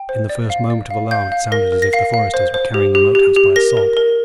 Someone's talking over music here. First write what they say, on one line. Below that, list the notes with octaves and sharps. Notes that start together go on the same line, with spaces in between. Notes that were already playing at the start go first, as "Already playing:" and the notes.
In the first moment of alarm it sounded as if the foresters were carrying the Moat House by assault.
Already playing: G5
C5
D5
F5
D5
F5
F5 G6
F5
A#4 A#6
A#4
A#6
F5 C7
F5
C5
C5
G4
G4
G4
G4
A#4 A#6
A#4
A#4